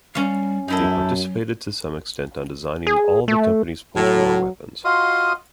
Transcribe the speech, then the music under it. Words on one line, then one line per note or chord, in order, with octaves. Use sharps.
They participated to some extent on designing all the company's post-war weapons.
G3 C#4 F5
F#2 F#3 D#4 E4 A4
G#4
A3
A2 F#3
F4 F#4 D#5 F5 C6 D#6